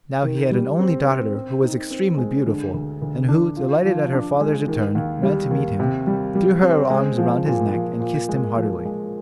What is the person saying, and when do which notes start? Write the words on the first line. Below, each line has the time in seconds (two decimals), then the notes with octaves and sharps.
Now he had an only daughter who was extremely beautiful, and who, delighted at her father's return, ran to meet him, threw her arms round his neck and kissed him heartily.
0.23 D#3
0.51 G3
0.79 C4
1.07 C4
1.35 C4
1.63 D#4
1.91 C4
2.17 G#3
2.46 D3
2.74 D2
3.02 D2
3.28 D4
3.57 F4
3.85 F3
4.13 D4
4.40 G#3
4.68 D#3
4.95 D#2
5.23 G3
5.51 D#2
5.80 C3
6.07 G3
6.35 G3
6.63 C4
6.90 G#3
7.18 F3
7.46 A#2
7.73 F3
8.00 A#2
8.29 G#3
8.56 F3
8.85 G#3